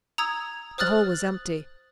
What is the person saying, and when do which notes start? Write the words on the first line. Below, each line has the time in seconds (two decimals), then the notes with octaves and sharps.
The hole was empty.
0.18 A#5 D#6 E6 G#6
0.78 C5 D#6 F6 F#6 A6 F#7